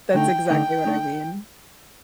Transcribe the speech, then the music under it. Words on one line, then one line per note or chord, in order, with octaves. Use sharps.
that's exactly what I mean.
D3 A3 D#4 G5
D3 A3 D#4 G5
A3 D#4